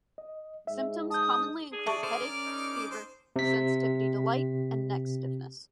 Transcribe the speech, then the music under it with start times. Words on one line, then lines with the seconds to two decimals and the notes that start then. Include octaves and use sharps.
Symptoms commonly include headache, fever, sensitivity to light, and neck stiffness.
0.18 D#5
0.67 G#2 E5
1.10 A5 D#6 G6
1.71 D4 G#4
1.86 D5 E5 A5 C#6
2.03 A4 C5 D6 F6
2.21 C#4 A#4 D5
2.46 C#3 D4 D#4
2.91 C5
3.36 C3 B6